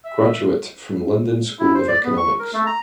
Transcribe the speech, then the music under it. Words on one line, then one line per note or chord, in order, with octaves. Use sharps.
Graduate from London School of Economics.
E5
E4
C5
D5
B3
C#6
A#4
A3
A#5